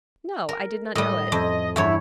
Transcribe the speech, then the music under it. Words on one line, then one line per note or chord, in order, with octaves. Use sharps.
"No, I did not know it."
A#4
A2 G3 D#5
F2
E2 G2 E4 C#5